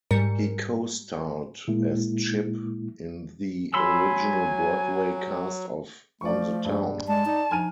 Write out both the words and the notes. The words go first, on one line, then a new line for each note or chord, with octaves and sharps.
He co-starred as Chip in the original Broadway cast of "On the Town".
G#2 G3 A#4 C#7
A#2 G#3 A#3 E4
F#3 G#5 B5 C6 E6
F3 A3 D5 C#6
G2
G#3 D5 A5
D#4 D5
F3 D#4 G#5 F6 D#7